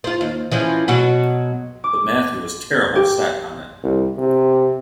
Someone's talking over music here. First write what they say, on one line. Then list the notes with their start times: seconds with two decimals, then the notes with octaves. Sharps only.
But Matthew was terrible set on it.
0.04 F4 C5
0.21 D#2
0.52 E3 F3 C#4
0.88 B2 F#3 F#4
1.84 D6
2.95 G4
3.83 C2
4.18 C3